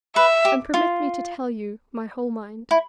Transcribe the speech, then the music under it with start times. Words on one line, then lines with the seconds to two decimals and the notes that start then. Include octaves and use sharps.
And permit me to tell you my whole mind.
0.16 B4 E5
0.45 G4
0.74 F4
2.71 E4